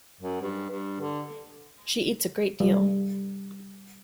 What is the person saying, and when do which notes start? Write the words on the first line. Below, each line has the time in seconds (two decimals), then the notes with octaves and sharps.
She eats a great deal.
0.21 F#2
0.42 G2
0.70 G2
1.00 D3
2.60 G3